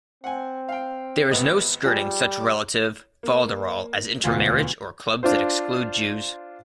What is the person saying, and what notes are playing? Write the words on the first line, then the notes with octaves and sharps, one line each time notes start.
There is no skirting such relative "fol-de-rol" as intermarriage or clubs that exclude Jews.
C4 F#5 G#5
F5 G5
G#1 B3 D#5
F3 G3 G#4
D6
A#3
E1 D2 F4
D4 F4 C5